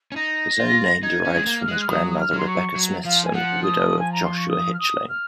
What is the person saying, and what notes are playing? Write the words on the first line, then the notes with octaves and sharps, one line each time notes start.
His own name derives from his grandmother Rebecca Smithson, widow of Joshua Hitchling.
C#4
D#4 A#6
F4
D#4 G#6
C#4
G#6
G#3
A#3
F6
G#3 F#6
F6
F#3 D#6
D#6
F6
F#3 C6
C#6
F#3
F3 F5
G#5
F3 F#5
D#6
G#5
A#5
C6
C#6
D#6
F6
D#6
F6